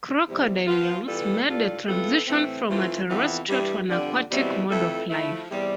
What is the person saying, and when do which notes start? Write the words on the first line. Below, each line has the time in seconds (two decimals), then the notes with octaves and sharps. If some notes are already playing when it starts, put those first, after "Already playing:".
Crocodilians made the transition from a terrestrial to an aquatic mode of life.
0.26 E2 C3 G3
0.67 F3 B3 F4
1.07 E3 G3 B3 F4 A4
1.47 A2 G3 D4 F4 A4
1.87 F2 E3 B3 F4 A4
2.28 A2 E3 A3 C4
2.68 E3 A3 C4 F4
3.09 F2 C3 E3 B3
3.48 G2 E3 G3
3.89 F2 D3 G3 D4
4.29 E2 B2 G3 C4 E4
4.70 F2 E3 A3 E4 A4
5.10 F3 A3 E4
5.50 E2 C3 G3